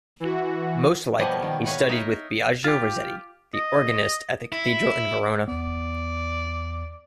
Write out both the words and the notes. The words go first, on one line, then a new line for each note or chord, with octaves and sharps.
Most likely he studied with Biagio Rossetti, the organist at the cathedral in Verona.
E3 F#4
B2 F3 G3 A#3 C#5 D#5
D#3
A2 B4 C#5 D#5 F5
D#4 A#4 D#5 E5
F4 G4
D#5
E4
E2 B3 D5